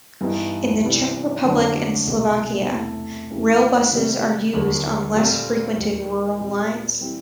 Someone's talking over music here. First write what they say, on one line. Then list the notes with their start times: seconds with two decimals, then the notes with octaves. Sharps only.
In the Czech Republic and Slovakia, railbuses are used on less frequented rural lines.
0.21 G2 E3 G3 B3 D#4
0.83 C3 E3 G3 B3
1.44 F2 D3 F#3 A3 D4
2.06 C2 B2 G#3 C4
2.68 E2 C3 E3 A3 C4
3.30 F2 C#3 E3 G3 C4
3.91 C3 D#3 G3 C4
4.53 D#2 D3 F#3 A#3
5.15 A#2 G3 C4 F4 A4
5.77 D#2 D#3 G3
6.38 A#2 G3 C4
7.00 E3 G3 C4